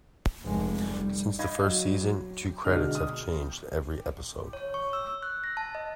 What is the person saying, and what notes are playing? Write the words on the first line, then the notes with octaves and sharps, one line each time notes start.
Since the first season, two credits have changed every episode.
F1 G#3
G3
D#4 D#5 F5 B5 G#6 A#6
F#3
B2 D3 G#3 D4 D#4 F6
D#6
C#5
C#6
E6
F#6
A#6
A5
D#5